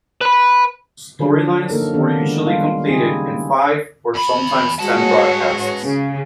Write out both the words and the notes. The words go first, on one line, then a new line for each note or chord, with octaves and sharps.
Storylines were usually completed in five, or sometimes ten broadcasts.
B4 B5
D3 F3 F#3 D4
F3 A#3 D#4 A4 A#4
D#3 B3 D4 A4
F3 G#3
G3 F4 F5
C#3 D#4 E4 G4 G#4
E2 B5
G#3 F#4 B4 C#5 A5
C#3